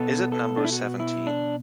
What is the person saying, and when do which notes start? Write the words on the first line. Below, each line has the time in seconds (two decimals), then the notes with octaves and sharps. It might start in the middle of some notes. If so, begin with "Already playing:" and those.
Is it number seventeen?
Already playing: B2 B3 A4
0.32 A4
0.57 D4
0.65 E4
0.72 F#4
1.00 E4
1.27 D4